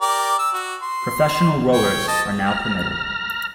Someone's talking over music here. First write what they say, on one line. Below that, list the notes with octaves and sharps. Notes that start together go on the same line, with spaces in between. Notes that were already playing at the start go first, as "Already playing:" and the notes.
Professional rowers are now permitted.
G4 A#4 D5
E6
F#4
C6
C#5 G5 C#6
D#5 A5
A#5 F6